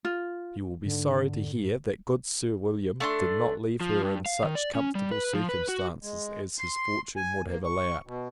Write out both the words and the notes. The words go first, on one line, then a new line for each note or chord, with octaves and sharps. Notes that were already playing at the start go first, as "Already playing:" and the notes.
You will be sorry to hear, that good Sir William did not leave her in such comfortable circumstances as his fortune would have allowed.
F4
G#2 D3
A3 D4 C6
F3
G2
F5
D#3
D5
C#4
G3
B4
F3
B4
F#4
G#3
C6
G#5
A#3
C#6
B2